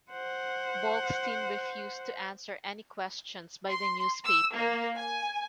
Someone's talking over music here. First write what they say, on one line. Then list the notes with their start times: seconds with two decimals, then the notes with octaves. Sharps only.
Bolkestein refused to answer any questions by the newspaper.
0.12 C5 F#5
3.70 C6
4.25 E6
4.55 A#3
4.97 G#5